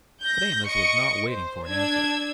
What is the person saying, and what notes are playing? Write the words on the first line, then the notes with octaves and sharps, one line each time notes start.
But Amos was not waiting for an answer.
G6 A#6
D#5 C#6 C#7 D7
C5
D4 E6 G#6